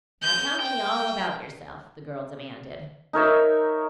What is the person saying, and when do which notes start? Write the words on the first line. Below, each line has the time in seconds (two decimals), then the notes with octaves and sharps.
"Now tell me all about yourself," the girl demanded.
0.24 G6
0.62 G5
3.13 D#4 A#4 C#5 E5